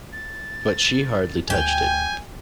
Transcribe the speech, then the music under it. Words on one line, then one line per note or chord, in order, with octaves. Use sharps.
But she hardly touched it.
A6
D2 G5 G#5 G6